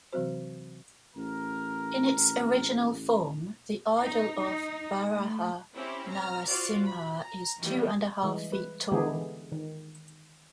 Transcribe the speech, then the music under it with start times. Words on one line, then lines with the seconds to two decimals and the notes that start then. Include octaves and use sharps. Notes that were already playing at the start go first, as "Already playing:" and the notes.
In its original form, the idol of Varaha Narasimha is two-and-a-half feet tall.
0.12 C3 E3 F#3 C4 F#4 C5
1.16 A1 A#4
3.99 D#4
4.38 D#4
5.04 A3
5.75 C4 C#4 E4 G4
6.11 A#5 F6
6.47 F4 F#4 C5 D5
6.86 B5
7.20 A#5
7.60 D#3 E3 G3 A#3
8.23 E3 G3 G#3
8.52 B4
8.92 D3 E3 G#3 B3 G4 G#4
9.52 D#3